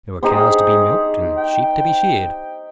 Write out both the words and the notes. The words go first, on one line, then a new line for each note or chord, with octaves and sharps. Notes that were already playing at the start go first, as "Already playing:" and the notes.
There were cows to be milked and sheep to be sheared.
D#4 G4 G#4 C5
G5